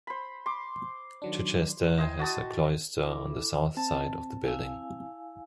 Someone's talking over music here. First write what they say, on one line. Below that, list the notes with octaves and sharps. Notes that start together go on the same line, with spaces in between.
Chichester has a cloister on the south side of the building.
C5 B5
C6 D6
D#3 F#3 D4
E4 D#5 G5 G#5 C6
F#4 A5 D#6
E4 A4 D6
C4 A5
E4 F5 G#5